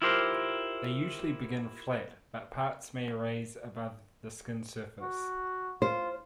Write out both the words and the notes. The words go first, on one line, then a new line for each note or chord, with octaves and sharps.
They usually begin flat, but parts may raise above the skin surface.
E4 F4 G4 A#4 C5
F#4
F4 C5